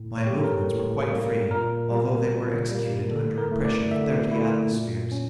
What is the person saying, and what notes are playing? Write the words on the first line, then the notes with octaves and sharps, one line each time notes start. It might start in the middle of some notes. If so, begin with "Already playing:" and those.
My movements were quite free, although they were executed under a pressure of thirty atmospheres.
Already playing: A2
C#5
G4
G3 A#3 A4
A#4
A2
G3 A#3
A#2 A#4
G3 A#3
A#2
G3 A#3
D3 A4
A#4
A3 E4
D5
D3 E5
A3 E4
A#2
C#4